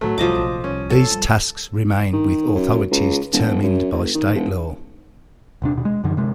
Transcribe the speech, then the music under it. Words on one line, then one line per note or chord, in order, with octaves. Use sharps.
These tasks remain with authorities determined by State law.
A2 D3 F#3 A3
C2 G2 F3 D#5 D6
A#1 C3
C2 C#4
A4
G2
D#3
F#2
C#2
E1
F#2
F#1
D#3
E1
D#1 C3 D4
D#1 B2
G#3
F#2 D3 D#3 F3
C3 G#3